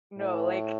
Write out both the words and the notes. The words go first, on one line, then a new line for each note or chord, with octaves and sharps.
No, like
A2